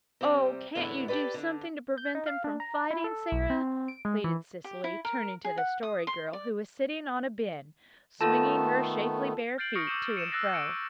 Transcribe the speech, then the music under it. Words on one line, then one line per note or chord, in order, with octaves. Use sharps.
"Oh, can't you do something to prevent them from fighting, Sara?" pleaded Cecily, turning to the Story Girl, who was sitting on a bin, swinging her shapely bare feet to and fro.
C3 G3 C4
E2 A2 D3 B3 E4
G4 A4 B4 D5
D3 D4
G6
D#4
F5
D4
A#5
E4
A4
B1
C4
D7
G#3
E3
G4
E4
A#4
G#4
F#5
D#6
C6
D5
D#3 A3 B3 F4 A4 A5
F6 G6 A6 C7 D7 F#7
C#6 D#6 F6 A#6 C#7 D7
D6 E6 G6 D#7 E7
C#7 D#7 E7
E6 F#6 A6 A#6 C7
C#7 D7 E7